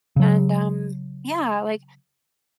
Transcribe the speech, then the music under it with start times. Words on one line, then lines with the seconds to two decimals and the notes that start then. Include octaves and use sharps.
and, um, yeah, like,
0.16 C#3 F#3